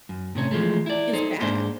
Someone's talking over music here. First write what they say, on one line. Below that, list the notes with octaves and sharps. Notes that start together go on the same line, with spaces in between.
is bad.
F#2
A2 C3 C#4
E3 F3 G#3 A3
E4 D5
D#4 A4 C5
G#2 A#3 D4 C5